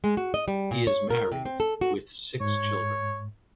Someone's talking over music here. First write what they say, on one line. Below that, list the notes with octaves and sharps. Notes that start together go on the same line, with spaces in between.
He is married with six children.
G#3
F#4
D#5
G3
A#2
C#5
A#4
C3
C4
A4
F#4
G#2 C#5